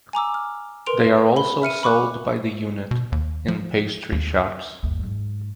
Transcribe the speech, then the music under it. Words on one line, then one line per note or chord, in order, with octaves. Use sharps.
They are also sold by the unit in pastry shops.
G#5 A#5 D6 E6
F6
A#4 B4 C6 D7 F7
B5 G7
E5 F6 C#7 D#7
B5 C#6 D6 F#6
B2
D#2
F3
D#2
G1 D#2
G#2 F#3